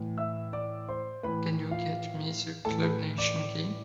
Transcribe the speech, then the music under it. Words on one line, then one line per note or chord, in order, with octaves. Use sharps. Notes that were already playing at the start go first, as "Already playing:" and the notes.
Can you get me the Club Nation game?
Already playing: A2 E3
E5 E6
D5 D6
C5 C6
A2 E3 B4 B5
F4 F5
A2 E3 A4 A5
B4 B5
D5 D6
D5 D6